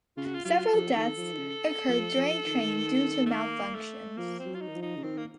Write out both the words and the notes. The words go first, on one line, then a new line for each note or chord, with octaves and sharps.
Several deaths occurred during training due to malfunctions.
C#3 F4
F#4
F4
F#3 F4
F3 A4
D#3
F3
D#3
C#3
F3
F3
D#3
A3
A#3
A3
F3 A#3
C4
F#3
F4
D#4
D#3
F3
D#4
C#3
D#3 C4
A#3